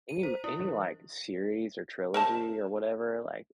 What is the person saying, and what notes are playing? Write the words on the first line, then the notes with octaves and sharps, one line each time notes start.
Any m any, like, series, or trilogy, or whatever, like,
D#7
C5
E4
E3
A#4 C5 A5